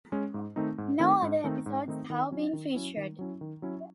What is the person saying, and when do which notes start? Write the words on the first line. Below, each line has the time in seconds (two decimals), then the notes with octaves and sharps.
No other episodes have been featured.
0.12 G#3 C#4
0.34 G#2
0.56 D#3 A3 C4 D#4
0.78 G#2
1.00 D#3 A3 C4 D#4
1.22 G#2
1.44 D#3 A3 C4 D#4
1.66 G#2
1.88 D#3 A3 C4 D#4
2.10 D#3
2.31 F#3 C#4 E4
2.53 D#3
2.75 F#3 C#4 E4
2.97 D#3
3.19 F#3 C#4 E4
3.41 D#3
3.62 F#3 C#4 E4